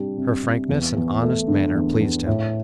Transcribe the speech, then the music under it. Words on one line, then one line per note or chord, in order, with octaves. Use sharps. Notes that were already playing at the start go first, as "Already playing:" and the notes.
Her frankness and honest manner pleased him.
Already playing: C3 G3 D4
C3
C3
E2
E2
A3
D3
E2
E2
A2